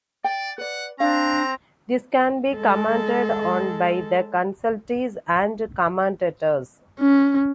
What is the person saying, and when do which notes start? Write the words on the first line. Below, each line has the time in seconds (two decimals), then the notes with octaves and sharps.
This can be commented on by the Consultees and Commentators.
0.24 D5 G5
0.58 B4 D5 F#5
1.00 C4 D4 F5 A#5
2.56 G#3 A4
7.00 C#4